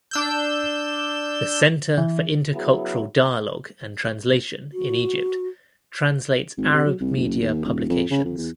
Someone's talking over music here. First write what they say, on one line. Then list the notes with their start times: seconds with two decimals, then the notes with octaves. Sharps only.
The Center for Intercultural Dialogue and Translation in Egypt translates Arab media publications.
0.11 D4 E6 G6
1.98 E3
2.53 C#3 F#3 B3 E4 G#4
4.73 F#4
6.57 G#1
6.74 C3
6.86 F#3
7.00 C2
7.16 F#1
7.42 D#2
7.65 D#1
7.90 F2
8.11 C#3
8.25 F2
8.38 E2